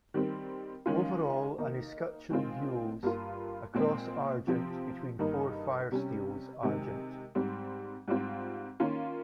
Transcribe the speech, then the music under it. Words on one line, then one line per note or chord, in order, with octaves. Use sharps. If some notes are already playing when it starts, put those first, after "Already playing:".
Overall an escutcheon Gules, a cross Argent between four firesteels Argent.
D#3 G3 C4
D#3 G#3 C#4 F4
D#3 A#3 D#4
D#3 G#3 C4 F4
G2 G3 A#3 F4
A#2 G#3 C4
C3 F3 C4
G2 D#3 A#3 D#4
C3 G3 C#4
C3 D#3 G#3
G#2 G3 C4
G#2 G3 C4 F4
D#3 A#3 C#4 F4